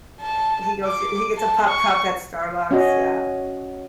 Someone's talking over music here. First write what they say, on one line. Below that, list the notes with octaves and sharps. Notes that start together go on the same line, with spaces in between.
He goes, yeah, he gets a Pup Cup at Starbucks. Yeah.
A5
D6
A5
C#6
C#4 F#4 D#5